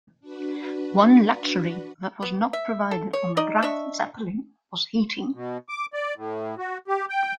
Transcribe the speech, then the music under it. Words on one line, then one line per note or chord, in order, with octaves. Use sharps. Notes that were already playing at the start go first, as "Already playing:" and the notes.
One luxury that was not provided on the "Graf Zeppelin" was heating.
D4 F#4 B4
B3
E5
A4
C#5
D#4 D5 D#5
D4 D#5 E5 C#6
B2
D6
D5
A2
F#4
G4
G5